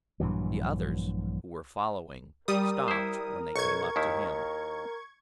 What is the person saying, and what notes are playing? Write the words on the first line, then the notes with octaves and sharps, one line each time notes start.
The others, who were following, stopped when they came up to him.
A#1 G2 E3 F#3
G3 A#4 D#6
E4 C5
B1 C#6 G#6
D#2 D#3 E4